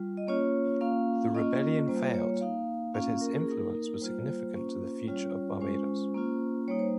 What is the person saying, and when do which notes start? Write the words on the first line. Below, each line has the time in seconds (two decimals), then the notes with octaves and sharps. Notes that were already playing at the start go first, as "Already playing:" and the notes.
The rebellion failed but its influence was significant to the future of Barbados.
Already playing: G3 F4
0.17 D#5
0.27 A#3 C#4 F4 C#5
0.81 A#3 C#4 F4 F5
1.34 A#3 C#4 F4 D#5
1.88 G3 A#3 F4 C5
2.14 C#5
2.41 A#3 D#4 F5
2.94 A#3 C#4 F4 F5
3.21 A#4
3.41 G#4
3.48 A#3 D#4 A#4
4.01 G3 A#3 F4 C5
4.28 C5
4.55 A#3 C#4 F4
5.08 G3 C#4 F4 C#5
5.61 G#3 C#4 F4 C5
6.14 A#3 C#4 F4
6.68 G3 A#3 D#4 C#5
6.79 C5